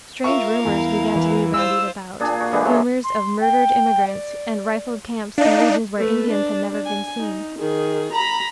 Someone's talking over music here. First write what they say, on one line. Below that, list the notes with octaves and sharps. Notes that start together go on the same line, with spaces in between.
Strange rumours began to be bandied about--rumours of murdered immigrants and rifled camps in regions where Indians had never been seen.
F4 A#4 E5 F5 C#6
E2 E4
E3
F4 C5 E6
A#2 D4 G#4
F#4 G#4
D3 E3 G3 G#3
C3 F#3 F5 C6
C6
G5
D5
D4 D#4 F5
A3 B4
D4
G#5
D#4
D#3 G#4
A#5 B5